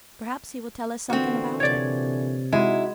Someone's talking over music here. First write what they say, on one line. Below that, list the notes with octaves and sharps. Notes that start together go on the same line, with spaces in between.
"Perhaps he will tell us something about it."
A#2 D3 E3 C4 F#4
C3 C#5 D5
G#3 D#4 E4 F#4